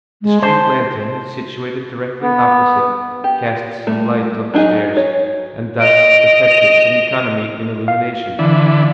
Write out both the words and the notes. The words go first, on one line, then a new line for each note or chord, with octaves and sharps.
The street-lantern, situated directly opposite, cast some light on the stairs, and thus effected some economy in illumination.
G#3
C5 A5
B3
G4
G3 A3
F#3 D4 D#4 G#4 G#5
C#5
D#5 D7 F7
F5
D3 E3